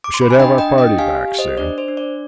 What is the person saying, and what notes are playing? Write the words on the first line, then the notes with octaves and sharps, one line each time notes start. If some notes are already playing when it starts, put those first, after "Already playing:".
We should have our party back soon.
D6
C6
B5
G#5
D4 D#5 G5
D#5 G5
D4
D#5 G5
G4 F5 G#5
G4
C5 D#5
D4 D5
C5
D4
D5